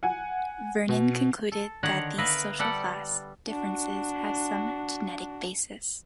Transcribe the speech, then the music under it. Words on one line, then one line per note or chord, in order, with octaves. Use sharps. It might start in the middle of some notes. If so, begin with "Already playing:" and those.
Vernon concluded that these social class differences have some genetic basis.
F#5 G#5
B2
A4
D3 D#3 C#5 F#5 A#5
B3 A#4 B4 E5 F5
G3 A4 F#5 G5
D4 F#4